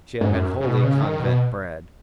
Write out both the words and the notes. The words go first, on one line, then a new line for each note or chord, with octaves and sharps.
She had been wholly convent-bred.
G#2
F#2
C#3
B2
C#3
D#3
B2